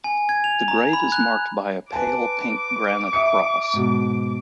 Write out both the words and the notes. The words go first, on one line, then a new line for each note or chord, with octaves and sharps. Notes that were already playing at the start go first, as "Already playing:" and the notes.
The grave is marked by a pale pink granite cross.
G#5
G#6
F7
A#5
B5
F#6
B4 G#5 A5 D6
E5 D#6 C#7
G#2 B2